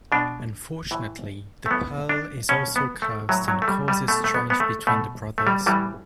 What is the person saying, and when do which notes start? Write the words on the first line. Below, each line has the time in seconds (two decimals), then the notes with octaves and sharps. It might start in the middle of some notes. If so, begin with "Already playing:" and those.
Unfortunately, the pearl is also cursed and causes strife between the brothers.
0.12 B2 D4
0.91 A2 E3
1.66 A3
1.71 A2 E3 B3
2.09 D4
2.49 B2 C#4
2.76 B3
3.02 A3
3.29 A2 E3 F#3
3.48 F#3
3.62 A3
3.68 G3
3.88 G3
4.08 B2 A3
4.24 A3
4.34 B3
4.50 B3
4.60 A3
4.87 B2 A3
5.38 A3
5.47 G3
5.66 A2 E3 G3